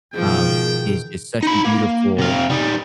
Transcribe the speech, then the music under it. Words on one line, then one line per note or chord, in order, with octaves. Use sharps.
um, is just such a beautiful,
G#2 B2 D#3 F3 G#4 G5
D#4 B5
A#3
C3 F5
G3 D#4